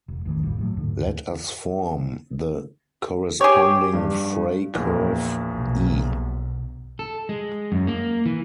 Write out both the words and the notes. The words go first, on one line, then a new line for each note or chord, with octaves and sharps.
Let us form the corresponding Frey curve "E".
E1
A1 D2 D#3 E3
G1 A#2 G3
A2 F#3
D2 G#2 D3
G4 G#4 C#5
G2
A#1 E2 A#3
B1
A4
G#3
F#2
A#3
E3